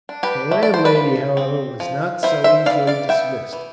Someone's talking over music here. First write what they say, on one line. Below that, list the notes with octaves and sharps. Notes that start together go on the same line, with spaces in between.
The landlady, however, was not so easily dismissed.
D4
G4 B4
A3 E5
D5
C5
B4 D5
F3
C4
F3
E3 C5 E5
C5 E5
E3 D5 F5
D5 F5
B3 E5 G5
E3